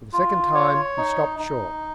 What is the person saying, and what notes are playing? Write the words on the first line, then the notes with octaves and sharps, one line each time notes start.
For the second time, he stopped short.
F4
C#5
D#4
D#4